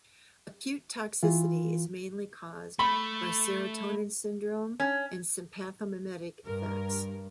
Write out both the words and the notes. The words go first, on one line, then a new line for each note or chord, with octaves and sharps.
Acute toxicity is mainly caused by serotonin syndrome and sympathomimetic effects.
E3 F4
A3 B5
C#4
G2 A#4